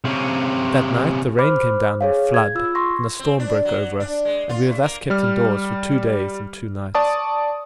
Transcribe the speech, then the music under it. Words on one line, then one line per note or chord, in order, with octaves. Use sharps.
That night the rain came down in a flood, and a storm broke over us, and we were thus kept in doors for two days and two nights.
C3 C#4
C5 B5 D6 F6
G#4 C#5 F5
G#6
F4 E6
C6 C#6 A#6
C4
D4
F#3
D4
G#3
F4
C3
A#3
G3 F6
D5 A5 C#6 D#6